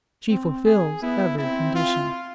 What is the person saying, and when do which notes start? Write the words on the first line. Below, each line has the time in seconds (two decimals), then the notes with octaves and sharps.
"She fulfils every condition."
0.29 C4
0.66 G#4
1.02 B3 E4
1.38 C4 E4
1.75 F4